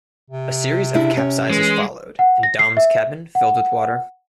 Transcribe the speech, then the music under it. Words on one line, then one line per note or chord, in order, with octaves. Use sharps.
A series of capsizes followed, and Dom's cabin filled with water.
C3
C#3 D4 E4
C#4
E3 G#3
F#5
A#6
C7
E5
F#5